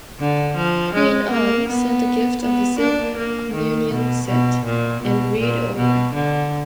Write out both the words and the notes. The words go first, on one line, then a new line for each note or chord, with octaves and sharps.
Queen Anne sent a gift of a silver Communion set and a reed organ.
D3
F3
G#3
A#3
B3
B3
D4
A#3
D#3
B2
B2
A#2
B2
A#2
B2
D3